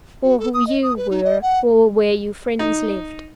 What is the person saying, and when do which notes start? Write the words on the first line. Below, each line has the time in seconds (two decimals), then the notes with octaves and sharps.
Or who you were, or where your friends lived.
0.23 F#4
0.39 A4
0.54 D#6
0.67 D#5
0.83 D#6
0.97 B4
1.10 D#4
1.24 D#5
1.42 F#5
2.59 D#4